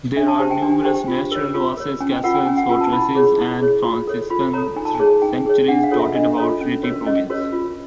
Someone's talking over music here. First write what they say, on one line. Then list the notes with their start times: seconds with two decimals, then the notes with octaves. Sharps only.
There are numerous natural oases, castles, fortresses and Franciscan sanctuaries dotted about Rieti Province.
0.16 D4 E5
0.28 A5
0.39 G4 C5 G#5
0.51 G5
0.62 D4 G#5
0.85 G4 C5 G5
1.08 F4
1.31 A#4 C#5
1.54 F4
1.77 A#4 C#5
2.00 C#4 G#5
2.12 G5
2.24 F4 A#4 F#5
2.35 G5
2.46 C#4 G#5
2.57 F#5
2.69 F4 A#4 G#5
2.81 A5
2.92 E4 B5
3.15 G#4 C#5
3.38 E4
3.61 G#4 C#5
3.84 F4
4.07 A4 C#5
4.30 F4 B5
4.53 A4 C#5 A#5
4.76 D#4 G#5
4.85 A5
4.94 G#5
4.99 G#4 C#5
5.22 D#4 G5
5.46 G#4 C#5
5.68 D4 F#5
5.83 F5
5.91 F4 A4 C#5
5.99 E5
6.15 D4 D#5
6.37 F4 A4 C#5
6.61 C#4
6.83 F#4 A#4 C#5
7.06 C#4 D#5
7.30 F#4 A#4 C#5
7.53 F4